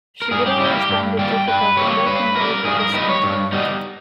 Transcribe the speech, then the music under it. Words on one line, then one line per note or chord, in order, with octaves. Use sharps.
She would always find it difficult to work and write at the same time.
A#4
G2 G#4
G4
G3 A#3 E4
G4
G2
G3 A#3 G5
G2 B4
G3 A#3 C#5
G2 B4
G3 A#3 A#4
G2 G#4
A#4
G3 B3 D#4 B4
C#5
G2
G3 B3 D#4